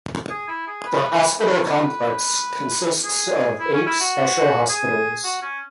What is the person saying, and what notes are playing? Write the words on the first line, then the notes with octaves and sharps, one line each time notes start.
The hospital complex consists of eight special hospitals.
G#4
E4
G#4
B4
B4
C#5
B4
B4
G#4
E4
C#4
E4
F#4
G#4
F#4
C#4